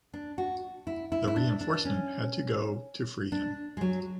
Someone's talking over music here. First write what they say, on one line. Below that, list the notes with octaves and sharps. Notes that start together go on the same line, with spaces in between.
The reinforcement had to go to free him.
D4
F#4
E4
E4
E4
D4
D4
C#4
D4
G#3
F#3